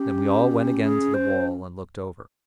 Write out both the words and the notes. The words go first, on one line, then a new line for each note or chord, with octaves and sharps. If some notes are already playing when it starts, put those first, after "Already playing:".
Then we all went again to the wall and looked over.
Already playing: C#4 G4
G#4
C5